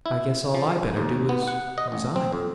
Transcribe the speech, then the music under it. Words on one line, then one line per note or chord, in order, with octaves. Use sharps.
"I guess all I better do is--resign!"
E4
F3
D#2
B3
F#5
D#5
A1
C4
F2